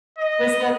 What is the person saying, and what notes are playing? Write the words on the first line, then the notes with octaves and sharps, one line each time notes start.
Was that
D#5